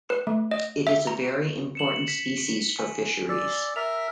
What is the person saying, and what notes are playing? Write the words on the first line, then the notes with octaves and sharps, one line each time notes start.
It is a very important species for fisheries.
B4
A3
D#5
E5
A#5
C#7 E7 F#7
B6 E7
G#5
D5 E6
A#4 E5 F7